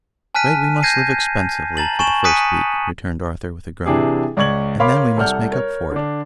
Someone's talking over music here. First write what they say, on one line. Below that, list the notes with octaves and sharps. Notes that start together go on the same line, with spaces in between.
'I am afraid we must live expensively for the first week,' returned Arthur, with a groan, 'and then we must make up for it.
G#5 A5 F6 F#6 B6 D#7
G6 G#6 A#6 C7 D#7
A5 A#5 A6 F#7
G#5 C#6 A6 E7 F#7
G#5 D#6 F#6 B6 C#7 D#7
C3 E3 D4 E4 G4 G#4
C#2 D5 C#6 G#6 F#7
A#4 C#5 F5 B5 C6 D6
C2 A4 D5 F#5 F6 G6
A#4 C#5
D3 D4